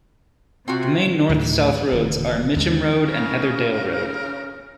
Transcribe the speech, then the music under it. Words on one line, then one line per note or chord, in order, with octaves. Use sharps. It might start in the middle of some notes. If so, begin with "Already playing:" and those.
The main north-south roads are Mitcham Road and Heatherdale Road.
C3 C4 F4 F#4
D2 A2 C#3
G2
D#1 D3 E3
D#2 D3 G#3 D4
C#3 A#4